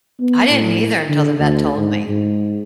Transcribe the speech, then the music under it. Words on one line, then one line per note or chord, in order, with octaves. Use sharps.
I didn't either until the vet told me.
B3
A2
D3
D2
G#2
G#2